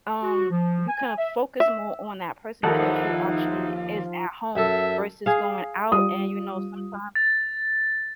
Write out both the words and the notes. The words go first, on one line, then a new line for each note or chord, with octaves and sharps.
um, you can focus more on that person because you actually is at home versus going out and you know, sometimes
F#4
F3
G#5
E5
E5
D#2 F3 D#4 E4 A4 A#4 F#5
F#2 A4 E5
G#4 F5
G3 F4 D#6
A6